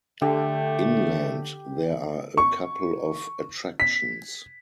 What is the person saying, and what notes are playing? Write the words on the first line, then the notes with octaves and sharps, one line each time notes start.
Inland there are a couple of attractions.
D3 A3 G4
C#6
B6